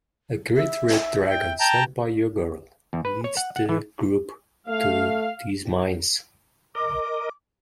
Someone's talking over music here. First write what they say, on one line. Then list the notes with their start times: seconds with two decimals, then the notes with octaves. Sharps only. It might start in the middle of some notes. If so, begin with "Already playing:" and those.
A great red dragon, sent by Ygorl, leads the group to these mines.
0.57 E5
1.30 G5
1.60 G5 A5 A#5
2.93 E2
3.05 B4
3.24 C#5
3.37 F#5
3.56 F#5
3.69 E3
4.69 A3 F5
6.75 A#4 D#5 D6